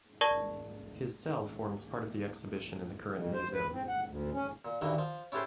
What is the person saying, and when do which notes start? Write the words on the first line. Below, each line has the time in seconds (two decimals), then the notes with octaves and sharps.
His cell forms part of the exhibition in the current museum.
0.21 A#4 D5 A5 C#6 A#6 G7
3.13 F2
3.34 C5
3.54 B4
3.73 C4
3.88 F#5
4.06 D2
4.34 C#4
4.65 A#2
4.82 D2 G2 D#3 E3
4.98 F3
5.32 C#4 E4 G4 A4 B4 C5